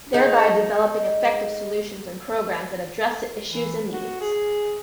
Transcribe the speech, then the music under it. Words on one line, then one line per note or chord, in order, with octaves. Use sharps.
Thereby developing effective solutions and programs that address the issues and needs.
G#3 D#4
E3
F#4
G#4